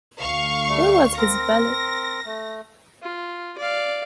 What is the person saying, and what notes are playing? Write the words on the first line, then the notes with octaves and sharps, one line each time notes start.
Where was his valet?
D2 F5 C#6
G3 A3
C4 A#4 A#6
A3
F4
D5 F5